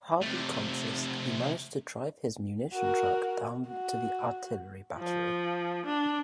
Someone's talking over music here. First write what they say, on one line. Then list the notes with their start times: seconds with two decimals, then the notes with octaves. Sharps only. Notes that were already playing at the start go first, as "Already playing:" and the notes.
Hardly conscious he managed to drive his munition truck down to the artillery battery.
0.22 C3 A3
2.75 F#4 A#4
3.69 F#4
4.98 F3
5.86 D4